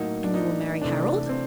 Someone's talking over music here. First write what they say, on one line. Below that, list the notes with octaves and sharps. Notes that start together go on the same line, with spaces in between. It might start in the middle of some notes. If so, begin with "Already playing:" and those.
'And you will marry Harold?'
Already playing: A2 F#3 A#3 D#4
D4
D#4
C3 E3 A3 D4
C4